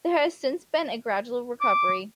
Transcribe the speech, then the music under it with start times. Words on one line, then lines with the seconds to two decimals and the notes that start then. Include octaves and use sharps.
There has since been a gradual recovery.
1.61 D6